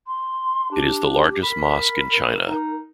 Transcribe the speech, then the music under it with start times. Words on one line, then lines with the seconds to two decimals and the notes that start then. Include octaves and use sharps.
It is the largest mosque in China.
0.07 C6
0.72 D4 G4
1.43 A#4 B5
2.48 D#4